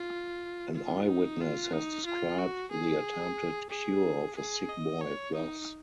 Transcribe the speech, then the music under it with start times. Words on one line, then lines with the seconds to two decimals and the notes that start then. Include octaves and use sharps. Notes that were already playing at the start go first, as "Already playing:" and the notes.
An eyewitness has described the attempted cure of a sick boy thus.
Already playing: F4
0.75 F4
1.08 D#4
1.40 F4
1.73 D#4
2.06 F4
2.39 F#4
2.71 G#4
3.70 G#4
4.36 G#4
4.69 D#5
5.01 C#5
5.34 D#4